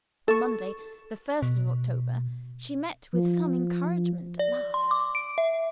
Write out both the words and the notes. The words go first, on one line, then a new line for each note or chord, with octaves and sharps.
On Monday the first of October she met with some encouragement at last.
A4 C#6
B2
F3
D5
C6
D6
D7
E5